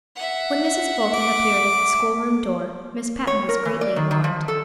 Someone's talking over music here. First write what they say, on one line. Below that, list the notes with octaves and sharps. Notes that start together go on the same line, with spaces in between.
When Mrs. Fulton appeared at the school-room door Miss Patten was greatly alarmed.
E5 F#5
D6
C#5
A#4
E3
D5
D#3
D#3
F3
A4